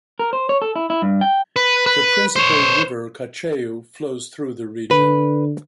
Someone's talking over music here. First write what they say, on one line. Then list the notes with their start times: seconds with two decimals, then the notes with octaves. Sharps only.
The principal river, Cacheu, flows through the region.
0.19 A#4
0.33 C5
0.49 C#5
0.62 A4
0.76 E4
0.90 E4
1.02 G2
1.21 G5
1.56 B4
1.86 B4
2.36 C5 C#5
4.91 D3 B4